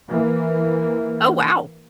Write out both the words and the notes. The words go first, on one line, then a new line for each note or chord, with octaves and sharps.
Oh, wow.
E3 A#3